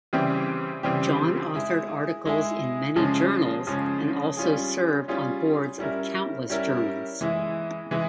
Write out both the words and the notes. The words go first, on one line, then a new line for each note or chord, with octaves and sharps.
John authored articles in many journals and also served on boards of countless journals.
C#3 E3 G3 C4 G4
C#3 E3 G3 C4 G4
G#3 E4 G#4
G#3 E4 G#4
C#3 F3 G#3 C#4
C#3 F3 G#3 C#4
G3 C#4 F4 G#4
G3 C#4 F4 G#4
G3 C#4 E4 A#4
G3 C#4 E4 A#4
E3 G#3 E4
E3 G#3 E4